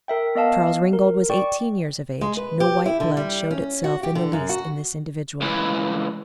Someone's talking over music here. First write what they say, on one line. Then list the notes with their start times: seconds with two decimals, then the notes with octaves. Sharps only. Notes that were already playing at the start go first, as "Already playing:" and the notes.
Charles Ringgold was eighteen years of age; no white blood showed itself in the least in this individual.
0.08 A#4 E5 G5
0.35 B3 D#5 F5 A5
0.93 A#4
1.30 D5 G5 C#6
2.21 G#3
2.37 B4
2.60 G4
2.86 E4
3.00 D3
3.17 G3
3.51 C#4
3.84 F#4
4.03 G4
4.15 D3
4.33 F#2
4.49 F#4
5.41 C#2 E3